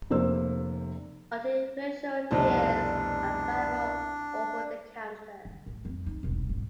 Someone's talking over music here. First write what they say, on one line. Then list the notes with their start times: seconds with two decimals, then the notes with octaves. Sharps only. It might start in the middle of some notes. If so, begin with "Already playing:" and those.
Artificial tears are available over-the-counter.
0.10 F1 C3 A#3 C5 E6
2.31 F1 C2 B2 D4 D#4 C5 A5
5.45 D3
5.66 A1
5.85 F2
6.06 D#4
6.23 E1 C2
6.49 G#1 G#2